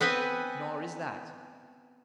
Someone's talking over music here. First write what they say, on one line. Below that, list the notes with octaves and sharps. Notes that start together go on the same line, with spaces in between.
"Nor is that."
B3 C4 B4 G#5